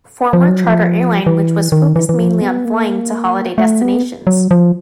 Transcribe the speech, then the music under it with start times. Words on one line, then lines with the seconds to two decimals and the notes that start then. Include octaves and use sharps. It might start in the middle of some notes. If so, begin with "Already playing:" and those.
Former charter airline which was focused mainly on flying to holiday destinations.
0.33 F3
0.49 F#3
0.64 F3
1.27 E3
1.72 D#3
1.96 E3
2.09 E3
2.18 F3
2.41 B3
2.65 A#3
3.58 A3
3.82 B3
4.27 F#3
4.51 F3